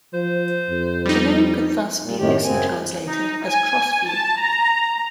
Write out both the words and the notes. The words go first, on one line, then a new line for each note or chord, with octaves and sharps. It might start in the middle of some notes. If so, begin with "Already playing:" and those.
The name could thus be loosely translated as "crossview".
F3 C5
F2
G3 D#4
A#2
F#2 A2 D#3 G4
F#2 C#3 C4 G#5
D#4
G#5
A5
A#5